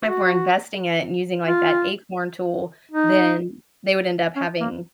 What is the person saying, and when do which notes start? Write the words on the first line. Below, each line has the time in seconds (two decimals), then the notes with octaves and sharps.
if we're investing it and using like that acorn tool, then they would end up having
0.04 F#4
1.47 F4
2.91 D#4
4.36 C#4
4.60 A#3